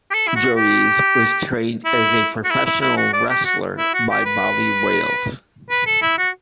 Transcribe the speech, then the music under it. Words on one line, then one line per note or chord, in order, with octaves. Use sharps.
Droese was trained as a professional wrestler by Bobby Wales.
G4
A4
E4
F#4
G4
E4
F#4
E4
E4
E4
F#4
D5
G4
F#4
E4
F#4
G4
B4
B4
A4
E4
F#4